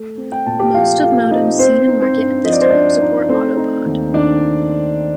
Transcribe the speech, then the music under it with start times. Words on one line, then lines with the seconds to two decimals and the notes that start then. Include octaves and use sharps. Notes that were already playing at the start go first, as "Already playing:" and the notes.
Most of modems seen in market at this time support autobaud.
Already playing: A3
0.18 C4
0.32 G5
0.46 A#2 A5
0.59 G4 G5
0.74 F3 F4 F5
1.03 A3 F4 F5
1.31 C4 D#4 D#5
1.59 C4 C5
1.88 D#4
2.02 C4 C5
2.16 G2
2.44 F3 D#5
2.52 D5
2.61 C5
2.69 C4 D4 D5
3.01 D#4
3.29 A3 C4 C5
3.57 D#4
3.86 D#2
4.13 D#3 D4 D5